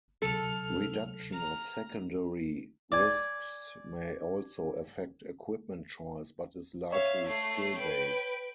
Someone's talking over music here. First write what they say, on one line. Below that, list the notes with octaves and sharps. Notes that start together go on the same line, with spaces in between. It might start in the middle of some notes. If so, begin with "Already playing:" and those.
Reduction of secondary risks may also affect equipment choice, but is largely skill-based.
D2 C3 F#3 A4 F6
A#5 F6
D5 G#5
C#5 E5 F5
A3 C7
B4 G5